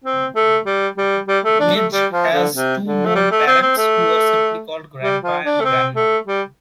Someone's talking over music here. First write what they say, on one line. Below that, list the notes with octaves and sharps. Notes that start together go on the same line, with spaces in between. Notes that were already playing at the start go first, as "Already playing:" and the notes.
Midge has two known parents who are simply called "Grandpa" and "Grandma".
C4
A3
G3
G3
G3
A3
D4
A3
G3
F3
D3
C3
D3
A3
G3
A3
C4
C4
A3
G3
F3
D4
A3
C4
A3
G3